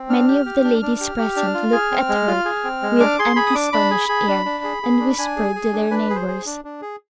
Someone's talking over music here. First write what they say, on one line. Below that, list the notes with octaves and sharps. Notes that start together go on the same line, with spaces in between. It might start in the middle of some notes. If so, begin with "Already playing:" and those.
Many of the ladies present looked at her with an astonished air, and whispered to their neighbours.
Already playing: C4
D4 F6
G4
G4
D4
D4
G4
G4
D4
F4
G#4
C4
G#3
F4
G#4
C4
G#3
D4 D6
G#4 C6
G#4 B5
D#6
D4 D6
D4 B5
G#4
G#4
D4
D4
G#4
G#4
D4
D4 G#5
G#4
G#4
D4
D4 B4
G#4
C5
G#4
D4
D4
G#4